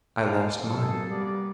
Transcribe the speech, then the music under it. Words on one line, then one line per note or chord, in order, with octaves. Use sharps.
"I lost mine."
G1 A2 A4 D5 F5
C3 F#3 A#3 G#4 A4
G3 A#3 B3 D5